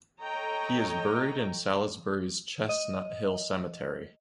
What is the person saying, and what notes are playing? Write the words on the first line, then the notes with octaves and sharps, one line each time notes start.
He is buried in Salisbury's Chestnut Hill Cemetery.
A4 C#5 D#5 G5 A#5
D#5